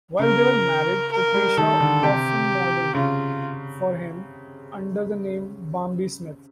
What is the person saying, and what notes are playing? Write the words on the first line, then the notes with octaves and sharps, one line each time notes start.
While they were married, Patricia often modeled for him, under the name Bambi Smith.
C#3 A#4
A#4
G3
D#3 A4
D3
C3 G4
C#3 F4